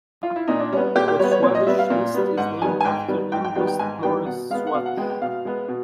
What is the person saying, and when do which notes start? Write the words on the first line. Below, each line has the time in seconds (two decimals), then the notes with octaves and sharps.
The Swadesh list is named after linguist Morris Swadesh.
0.23 F4
0.36 E4
0.48 A#2 D#4
0.60 D4
0.72 G3 C#4
0.76 B3
0.96 A#2 G4
1.08 G4
1.19 G3 B3 C#5
1.31 C#5
1.43 A#2 C#5
1.55 D#5
1.67 G3 B3 E5
1.79 F5
1.90 A#2
2.14 G3 B3
2.37 G#2 F#5
2.62 D#3 G3 B3 G#5
2.81 G#5
2.84 G#2 G5
3.08 D#3 G3 B3
3.32 G#2 G5
3.44 G5
3.55 D#3 G3 B3 G5
3.67 G5
3.79 G#2 G#5
4.03 D#3 G3 B3 G5
4.26 B2 F#5
4.50 G#3 F5
4.54 B3
4.67 F#5
4.74 B2 F5
4.86 F#5
4.97 G#3 G5
5.00 B3
5.10 G5
5.21 B2 F5
5.45 G#3 B3
5.68 B2